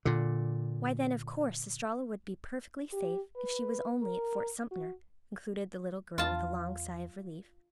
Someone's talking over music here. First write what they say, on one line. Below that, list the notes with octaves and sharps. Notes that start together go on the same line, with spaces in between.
Why, then, of course Estralla would be perfectly safe if she was only at Fort Sumter, concluded the little girl, with a long sigh of relief.
A#2 D3
G4
B4
A#4
F#4
E2 F4 A5